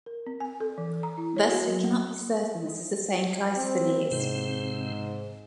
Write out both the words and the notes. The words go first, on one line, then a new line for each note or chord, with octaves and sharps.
Thus we cannot be certain this is the same Cleisthenes.
A#4
C4
G#5
A4
E3
A#5
E4
C#5
F#4
F#3
A#3
C4
G#2 C3 C4